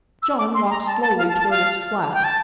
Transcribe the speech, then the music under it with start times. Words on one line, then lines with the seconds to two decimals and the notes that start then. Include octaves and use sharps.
John walked slowly toward his flat.
0.23 E6
0.38 D6
0.54 C6
0.70 A#5
0.86 A5
1.02 A5
1.18 F5
1.29 A5
1.39 A5
1.50 F5
2.13 G5
2.24 A5